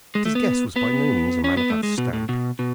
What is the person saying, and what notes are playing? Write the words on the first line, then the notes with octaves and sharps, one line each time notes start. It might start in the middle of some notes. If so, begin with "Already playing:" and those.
But his guest was by no means a man of that stamp.
G#3
A3
B3
B3
C#4
B3
A3
G#3
B2
A2
B2
B2